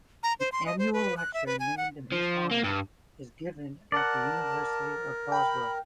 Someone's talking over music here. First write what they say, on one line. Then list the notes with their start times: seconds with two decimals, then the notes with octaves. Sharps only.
An annual lecture, named in his honor, is given at the University of Oslo.
0.23 A#5
0.40 C5
0.52 C6
0.66 D#5
0.79 C5
0.93 B4
1.17 F#6
1.34 E5
1.46 B4
1.60 G#5
1.77 F#5
2.12 F3
2.51 A#3
2.64 G2
3.92 A#4 D5 F#5 A5
5.32 G5 B5